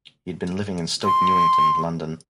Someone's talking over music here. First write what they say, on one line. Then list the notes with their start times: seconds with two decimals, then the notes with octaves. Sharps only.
He had been living in Stoke Newington, London.
1.05 C6